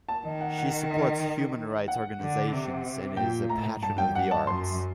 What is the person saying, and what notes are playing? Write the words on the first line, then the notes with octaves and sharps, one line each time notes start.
She supports human rights organizations and is a patron of the arts.
A5
D#3 D#5
F#5
F#5
D#5
F#5
D3
C3
A#2 G5
A2 A#5
G2 A5
G5
F#5
A5
F#2 C6